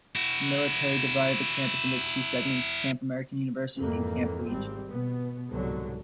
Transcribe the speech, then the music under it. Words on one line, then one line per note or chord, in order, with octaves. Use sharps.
The military divided the campus into two segments, Camp American University and Camp Leach.
E4 F#4
F2 G#2 E3 A#3
G#1 G3 C4
B2 B3
C2 G#2 B2 D3 F#3